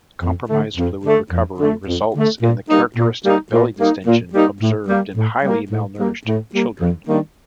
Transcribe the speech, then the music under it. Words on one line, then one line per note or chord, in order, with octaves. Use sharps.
Compromised fluid recovery results in the characteristic belly distension observed in highly malnourished children.
F2
D3 A3
F2
D3 A3
F2
D3 A3
F2
D3 A3
A#2
G3 A#3 D#4
A#2
G3 A#3 D#4
A#2
G3 A#3 D#4
A#2
G3 A#3 D#4
A2
G3 A#3
A2
G3 A#3
A2
G3 A#3
A2
G3 A#3
F2
D#3 G3 A#3 D4